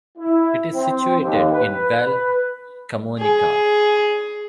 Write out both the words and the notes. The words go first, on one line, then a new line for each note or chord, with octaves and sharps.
It is situated in Val Camonica.
E4
C4
D#2
B4
B4
G#4